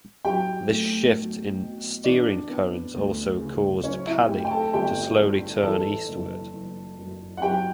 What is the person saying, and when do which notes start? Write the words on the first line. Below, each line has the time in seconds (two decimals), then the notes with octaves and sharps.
This shift in steering currents also caused Pali to slowly turn eastward.
0.25 F#3 G4 G5
0.70 A3
1.15 B1
1.60 B2
2.04 E3 D4 D5
2.49 B3
2.95 D2
3.39 C#3
3.83 F#3 C#4 C#5
4.06 E4 E5
4.28 A3 G4 G5
4.45 G5
4.51 A4 A5
4.73 G1 G4 G5
5.18 G2
5.63 E3 A4 A5
6.08 F#1
6.52 F#1
6.98 F#2
7.37 F#5
7.42 F#3 G4 G5